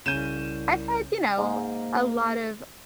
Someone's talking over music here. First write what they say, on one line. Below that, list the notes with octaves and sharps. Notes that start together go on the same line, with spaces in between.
I've had, you know, a lot of
C2 C#3 C#4 G6 D#7 E7
G#2 A#3